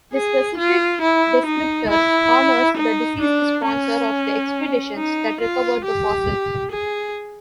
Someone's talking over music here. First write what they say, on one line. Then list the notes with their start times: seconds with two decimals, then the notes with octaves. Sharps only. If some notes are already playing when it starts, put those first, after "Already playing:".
The specific descriptor honours the deceased sponsor of the expeditions that recovered the fossil.
0.14 G#4
0.58 F4
1.01 E4
1.46 D#4
1.89 E4
2.77 D#4
3.21 D4
3.65 C#4
4.96 D#4
5.40 F4
5.84 G4
6.72 G#4